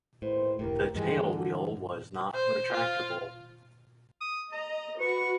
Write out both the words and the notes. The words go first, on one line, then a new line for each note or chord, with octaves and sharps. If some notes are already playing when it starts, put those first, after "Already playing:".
The tailwheel was not retractable.
D#2 A2 B4 C5
F1 D2 A2 A#3 G4 A#4
G2 D#3 E3 G3 G#3
D3
C5
F4
D#6
D#5 A#5
F#4 B4 C#6